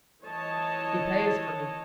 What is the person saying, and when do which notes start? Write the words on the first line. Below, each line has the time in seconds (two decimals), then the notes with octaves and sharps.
"He pays for me."
0.24 E3 C#5 D#5 A5